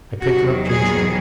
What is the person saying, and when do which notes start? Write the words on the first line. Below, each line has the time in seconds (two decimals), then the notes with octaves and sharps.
I picked it up gingerly.
0.21 E2 D#3 F#3 F#4
0.67 G#4